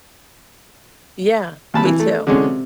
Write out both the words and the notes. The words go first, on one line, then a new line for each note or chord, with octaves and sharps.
Yeah. Me too.
D#2 A5 B5
E3
A3
D3 G#3 C#4
C3